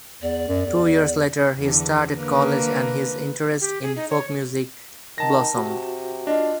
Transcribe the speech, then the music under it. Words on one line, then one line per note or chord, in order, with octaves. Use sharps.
Two years later, he started college and his interest in folk music blossomed.
E2 D5
F#2
E2
E2 D3
D3 A#3 A#4 B4
G4
G#4
D#4
C#5
D#3 A5 A#6
C3 F#4
D4 F4 D#5